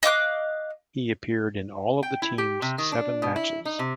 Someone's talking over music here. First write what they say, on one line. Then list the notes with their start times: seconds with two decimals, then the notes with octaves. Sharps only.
He appeared in all of the team's seven matches.
0.03 D#5 F5 D6 F#6
2.03 G5
2.22 E4
2.38 G4
2.62 C3
2.78 D#3
2.92 D4
3.22 B2
3.36 E4
3.65 D#4
3.79 C3